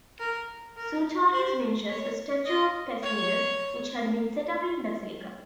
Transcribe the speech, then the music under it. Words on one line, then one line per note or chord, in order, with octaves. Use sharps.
Suetonius mentions a statue of Passienus, which had been set up in the Basilica.
A#4
A#4
C5
C#5
D#5
C#5